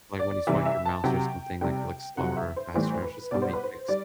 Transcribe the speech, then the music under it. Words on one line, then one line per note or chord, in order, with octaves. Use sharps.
like when you swipe your mouse or something, like it looks slower or faster, it's just how many ticks
D5
C3 E3 G3 E5
E5
A5
C3 F#3 G5
C3 G3 G5
C3 F#3 F#5
E5
C5
A2 E3 G3 C5
B4
B2 G3 D5
C5
B4
C5
G3 D5